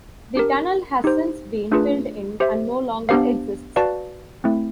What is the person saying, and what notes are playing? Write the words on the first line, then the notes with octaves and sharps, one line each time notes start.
The tunnel has since been filled in and no longer exists.
D4 G4 A#4
D#4 G4 C5
A3 D4 F4 G#4 B4
G4 C5 E5
B3 D4 G4 C5 F5
F#4 B4 D5 F5 A5
A3 C4 E4